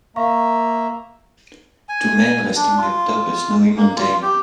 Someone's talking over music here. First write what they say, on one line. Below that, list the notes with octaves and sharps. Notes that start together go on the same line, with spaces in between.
Two men resting uptop a snowy mountain.
A#3 E5 F5 A#5 C#6
G#5
D4
F4
A#3
F4
G4